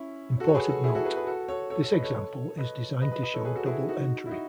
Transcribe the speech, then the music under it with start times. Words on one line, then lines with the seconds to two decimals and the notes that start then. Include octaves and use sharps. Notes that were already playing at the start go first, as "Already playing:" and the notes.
Important note: this example is designed to show double entry.
Already playing: C#4 E4
0.40 F#4 A4
0.48 C#5
0.54 G#4 B4
0.69 F#4 A4
0.84 E4 G#4
0.95 F#4 A4
1.05 G#4 B4
1.16 G#4 B4
1.27 F#4 A4
1.48 A4 C#5
1.70 A4 C#5
1.81 A4 C#5
1.93 B4 D#5
2.03 A4 C#5
2.57 B4 D#5
3.01 B4 D#5
3.12 B4 D#5
3.23 B4 D#5
3.34 A4 C#5
3.45 G#4 B4
3.56 F#4 A4
3.66 E4 G#4
3.88 D#4 F#4
4.26 E4
4.31 D#4 F#4